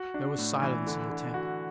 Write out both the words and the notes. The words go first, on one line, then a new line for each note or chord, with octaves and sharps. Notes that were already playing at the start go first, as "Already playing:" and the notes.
There was silence in the tent.
Already playing: F#4
D4
A2
E3
D3
D3
F#4